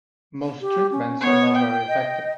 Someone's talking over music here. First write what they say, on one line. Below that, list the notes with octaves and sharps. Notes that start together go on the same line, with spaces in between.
Most treatments are not very effective.
G4
C#4
B3 C#5
G5
D#5